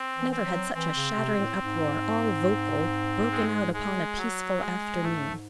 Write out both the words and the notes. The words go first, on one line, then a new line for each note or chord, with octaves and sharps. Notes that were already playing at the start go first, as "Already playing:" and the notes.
Never had such a shattering uproar, all vocal, broken out upon a peaceful afternoon.
Already playing: C4
E3
C4
F#3
E3 C4
C#3
C3
A2
G#2
G#3
G#3
F#3
G#3
G#2 A3